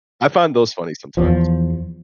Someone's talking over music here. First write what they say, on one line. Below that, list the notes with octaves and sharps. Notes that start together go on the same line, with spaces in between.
I I find those funny sometimes.
E2 F3